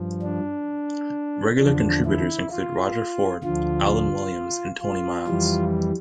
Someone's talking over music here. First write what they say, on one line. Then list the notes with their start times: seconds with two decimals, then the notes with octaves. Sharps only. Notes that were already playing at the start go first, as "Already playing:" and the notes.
Regular contributors include Roger Ford, Alan Williams and Tony Miles.
Already playing: G2 F3
0.22 D4
1.59 E2 D3 F3 D4
2.05 E4
2.51 F4
3.43 D2 D3 F3 F4
4.82 F4
5.27 F2 E3 G3